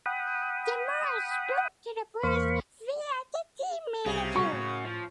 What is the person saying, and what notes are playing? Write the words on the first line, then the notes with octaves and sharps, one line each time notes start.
De Moura spoke to the press via the team manager.
F#5 G5 B5 D#6
E2 A#3 C5 F5 B5 C#6
C2 C#3 G3 C4 G4
C3 G3 C#4 F#4 C#6
A2
F3